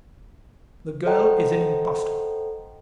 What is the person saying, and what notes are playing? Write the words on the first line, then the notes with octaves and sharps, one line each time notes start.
The girl is an impostor.
A4 C5 D#5 F#5 G5 A#5